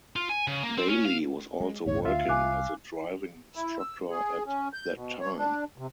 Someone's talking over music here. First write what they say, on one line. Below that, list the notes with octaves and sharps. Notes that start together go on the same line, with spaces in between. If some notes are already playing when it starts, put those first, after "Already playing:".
Bailey was also working as a driving instructor at that time.
F4
G#5
C#3
A#3
C4
C#4
F5
G#3
A1 D2 G2 C#5
D2 F4 E5 F5
C2 G#5 D6 F#6
E4
E6
G#4
C#4
G6
B2
C#5
D4
C3